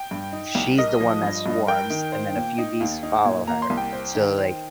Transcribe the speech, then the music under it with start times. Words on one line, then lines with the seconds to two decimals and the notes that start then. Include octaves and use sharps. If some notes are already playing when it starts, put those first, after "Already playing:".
she's the one that swarms and then a few bees follow her. So like
Already playing: G5
0.11 G2
0.32 D#4
0.55 C2
0.78 A#4 D#5
1.00 F3
1.23 G2
1.46 G2
1.67 A#4 G5
1.90 D#3
2.12 C5
2.36 A#2
2.58 D#4
2.80 D#2
3.03 D#4
3.25 A#2
3.47 A#3 A#5
3.62 C6
3.70 C2
3.78 G5
3.93 C5
4.15 D#3
4.38 C5